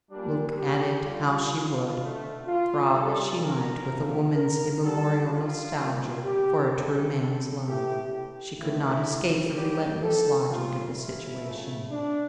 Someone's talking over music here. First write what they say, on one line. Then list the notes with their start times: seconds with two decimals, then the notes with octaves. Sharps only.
Look at it how she would, throb as she might with a woman's immemorial nostalgia for a true man's love, she could not escape the relentless logic of the situation.
0.11 A#2 G3 D4
0.57 G4
1.04 D3 G3 F4
1.99 D3 A3
2.47 F4
2.93 C#3 G3 A4
3.41 A#4
3.88 A#2 F3 A3
4.35 A#4
4.82 D3 G3 A4
5.30 F4
5.77 A#2 G3
6.24 G4
6.72 C#3 G3 A4
7.66 A2 E3 A3 G4
8.60 A2 E3 A3 E4
9.55 C#3 G3 G4
10.02 A4
10.49 A#2 G3 F4
10.97 E4
11.44 C#3 F3 A3
11.91 D4